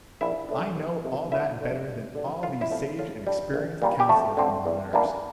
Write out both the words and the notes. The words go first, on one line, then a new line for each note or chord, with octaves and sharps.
I know all that better than all these sage and experienced counsellors and monitors....
A#1 E4 E5
A2 E3 A3 D4
G1
F2 C3
D2 E4 E5
D3 A3 D4
G2
D3 G3 D4
A2 F4 F5
E4 E5
F3 A3 C4
A2 F4
G3 D4
A#1
A#2 G3 A#3
G4
F2 A3 A4
D3 F3 C4
E2
E3 G3 A#3 D4